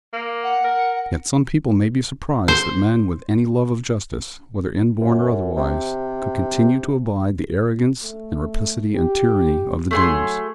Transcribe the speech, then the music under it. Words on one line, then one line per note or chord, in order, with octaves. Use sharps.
Yet some people may be surprised that men with any love of justice, whether inborn or otherwise, could continue to abide the arrogance, and rapacity, and tyranny of the Doones.
A#3
F#5
A#4
C5
F#2
C3
A3
G4
F#3 A3 G#4 C6